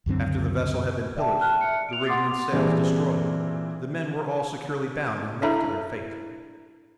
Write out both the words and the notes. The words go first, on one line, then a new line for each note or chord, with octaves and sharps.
After the vessel had been pillaged, the rigging and sails destroyed, the men were all securely bound and left to their fate.
C#2 F#2 D3 C4
D5 E5 G5 A5
G5 A5 F6 F#6
E5 C#7
D7 F7
F#5 C6 D6 D#6 A6 C7
A#2 E3 G3 C4 D4 G#4
D4 E4 A4 E5 A#5 B5